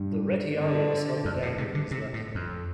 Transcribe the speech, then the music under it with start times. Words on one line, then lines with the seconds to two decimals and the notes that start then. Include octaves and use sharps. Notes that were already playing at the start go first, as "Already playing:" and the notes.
The "retiarius" held the dagger in his left hand.
Already playing: G2
0.58 D3
1.25 F2
1.42 A2
1.58 C3
1.75 D3
1.91 C3
2.13 A2
2.35 F2